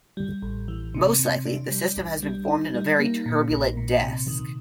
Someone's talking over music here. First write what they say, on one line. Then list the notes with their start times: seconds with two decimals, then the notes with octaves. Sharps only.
Most likely, the system has been formed in a very turbulent disc.
0.17 G3
0.42 A1
0.68 E3
0.94 C3
1.19 C3
1.46 D4
1.71 G3
1.96 B1
2.23 G3
2.48 D#4
2.74 G3
2.99 A#3
3.26 A#2
3.50 A#1
3.77 A#2
4.03 C3
4.28 D#3